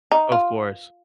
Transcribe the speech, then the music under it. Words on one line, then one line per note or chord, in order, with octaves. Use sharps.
Of course.
D#4
F4